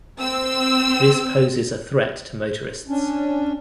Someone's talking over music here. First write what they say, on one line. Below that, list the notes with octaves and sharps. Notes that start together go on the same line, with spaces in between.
This poses a threat to motorists.
C4 E6
C#4 D4